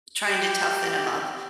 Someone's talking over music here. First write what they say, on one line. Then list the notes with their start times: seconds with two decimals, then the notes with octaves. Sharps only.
trying to toughen him up.
0.23 G4